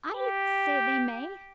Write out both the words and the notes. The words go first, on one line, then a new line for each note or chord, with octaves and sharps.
I say they may.
G4